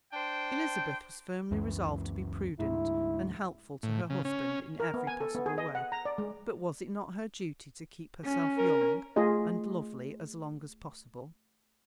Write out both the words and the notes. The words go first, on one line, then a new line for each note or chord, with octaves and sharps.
Elizabeth was firmly resolved to be prudent and helpful to her husband in every possible way; but was it not her duty to keep herself young and lovely as long as possible?
D4 C5 G5
C#2 F#2 E3
D2 G#2 E4
A2
C#3
C#4
A#4
B3
G#5
A4
B3
G#4
D#5
F#5
A#5
D5
G#3
C#4
A#4
A3 F4 G#4 D#5